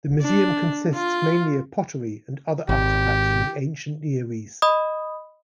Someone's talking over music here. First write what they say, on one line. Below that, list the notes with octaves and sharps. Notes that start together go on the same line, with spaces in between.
The museum consists mainly of pottery and other artefacts from the Ancient Near East.
D4
F4
G#1 G4
D#5 B5 D#6